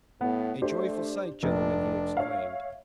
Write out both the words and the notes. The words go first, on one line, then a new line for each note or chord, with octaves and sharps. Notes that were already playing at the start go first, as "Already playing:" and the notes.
"A joyful sight, gentlemen!" he exclaimed.
A2 B3
A3 D4 G4 C5
F1 D4
C#5 E5 F5